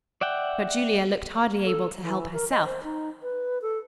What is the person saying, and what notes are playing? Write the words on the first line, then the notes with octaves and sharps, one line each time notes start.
But Julia looked hardly able to help herself.
D5 E5 F#5 G5
A4
E3
A#4
D#5
C5
D#4
B4
A4